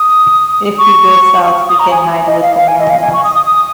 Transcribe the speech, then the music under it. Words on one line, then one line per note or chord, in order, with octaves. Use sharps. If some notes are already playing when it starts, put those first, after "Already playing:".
If he goes south, he can hide with the nomads.
Already playing: D#6
C#6
D#6
A#5
G#5
G#5
D#5
F5
F5
G#5
D#5
F5
G#5
C#6
D#6
D#6
D#6